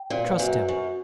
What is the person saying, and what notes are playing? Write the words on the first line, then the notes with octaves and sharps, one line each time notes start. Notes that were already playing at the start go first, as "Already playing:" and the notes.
Trust him.
Already playing: G5
A#2
B4
F#2
F#2 C#6